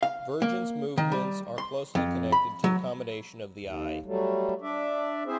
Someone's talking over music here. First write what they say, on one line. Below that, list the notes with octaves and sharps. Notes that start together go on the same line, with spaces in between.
Vergence movements are closely connected to accommodation of the eye.
F5
A#3
D#3
G3
C6
F2
B5
F#3
D#2
F#3 G3 A3
D4 D5 E5
C4 E4 G#4 C5 E5